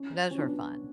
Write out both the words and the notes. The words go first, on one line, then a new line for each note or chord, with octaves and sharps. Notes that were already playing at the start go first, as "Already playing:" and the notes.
Those were fun.
Already playing: C#4
C#4
B3 D4